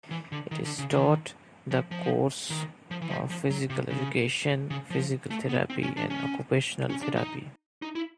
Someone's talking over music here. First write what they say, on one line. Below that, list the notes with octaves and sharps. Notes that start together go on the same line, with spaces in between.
It is taught the course of physical education, physical therapy and occupational therapy.
E3
D3
D#3
D3
C#3
D#3
F3
F3
D#3
F3
E3
F3
F3
F#3
C3
C#3
C#3
F3
A3
B3
C4
C#4
D4
C#4
C#4
D4
D#4
D#4
E4